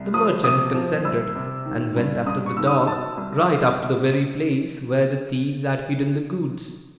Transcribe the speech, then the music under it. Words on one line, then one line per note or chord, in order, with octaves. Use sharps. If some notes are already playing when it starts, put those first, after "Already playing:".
The merchant consented, and went after the dog right up to the very place where the thieves had hidden the goods.
Already playing: C2
F3 D#6
C3 D#6
F3
C2 E6
C3
D#3
G2
G2 D#6
C#6
D#3 E6
D#6
B2 A5
C2